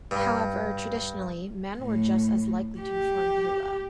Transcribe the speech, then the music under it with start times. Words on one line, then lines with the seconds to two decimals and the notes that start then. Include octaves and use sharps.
However, traditionally, men were just as likely to perform the hula.
0.11 G2
1.79 A2
2.81 G4